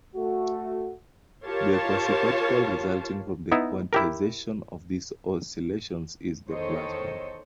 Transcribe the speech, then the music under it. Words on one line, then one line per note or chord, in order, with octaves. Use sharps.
The quasiparticle resulting from the quantization of these oscillations is the plasmon.
A3 F#4
F4 G4 A#4 C#5 F5 A5
B3 D#4 E4
E4 G4 A#4
E2 D#3 A4 C5 C#5 D#5